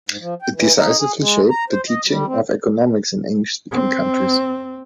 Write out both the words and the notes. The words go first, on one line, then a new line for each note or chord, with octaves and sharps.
It decisively shaped the teaching of economics in English-speaking countries.
G#2
F3
G5
E3
D#4
G#4
G#3
A#5
C5
D#5
G3
C4
C4